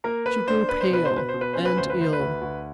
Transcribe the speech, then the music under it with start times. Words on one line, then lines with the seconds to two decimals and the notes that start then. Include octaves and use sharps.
She grew pale and ill.
0.04 A#3 A#4
0.26 A#3 B4
0.47 D4 C5
0.69 D4 B4
0.80 C5
0.90 B2 B4
1.05 C5
1.12 B2
1.17 B4
1.29 C5
1.34 B2
1.41 B4
1.53 C#4 C5
1.65 B4
1.77 D2 C5
1.90 B4
1.98 D2 C5
2.13 B4
2.20 D2
2.41 D2